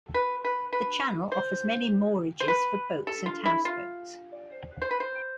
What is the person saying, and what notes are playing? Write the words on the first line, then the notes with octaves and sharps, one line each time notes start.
The channel offers many moorages for boats and houseboats.
B4
B4
B4
C5
C5
B4
A4
F4
E4
F4
C5
B4
C5